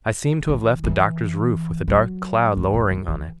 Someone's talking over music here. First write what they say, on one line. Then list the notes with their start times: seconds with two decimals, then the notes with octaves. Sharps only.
I seemed to have left the Doctor's roof with a dark cloud lowering on it.
0.49 E3
0.84 E3
1.88 F#3
2.57 E3
2.74 F#2
2.91 F#2
3.08 E3